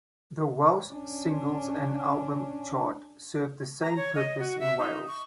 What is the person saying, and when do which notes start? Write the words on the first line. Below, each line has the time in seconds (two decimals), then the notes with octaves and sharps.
The Welsh Singles and Album Chart served the same purpose in Wales.
0.90 C#4 D4
3.82 A#5
3.96 C#5
4.15 D#5
4.39 F#4
4.60 E5
4.79 D#4
5.07 C#6